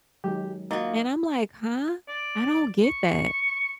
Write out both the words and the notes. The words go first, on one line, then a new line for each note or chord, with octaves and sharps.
and I'm, like, "Huh?" I don't get that.
D#3 F#3 G#3 G4
A#3 D#4 F4 F#4
D5
C#6